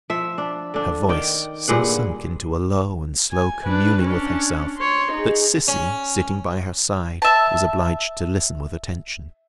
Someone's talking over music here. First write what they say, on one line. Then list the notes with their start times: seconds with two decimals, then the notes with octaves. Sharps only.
Her voice so sunk into a low and slow communing with herself, that Sissy, sitting by her side, was obliged to listen with attention.
0.10 F3 E5
0.38 D4
0.74 D3 D4
1.09 D#3 D5 G5
1.68 G2 A#2 G#4 F#5
3.32 G#5
3.66 D4 B4
4.02 C#4 D4
4.77 C#5 C6
5.13 D#4 G#4
5.68 C#4
7.22 E5 A5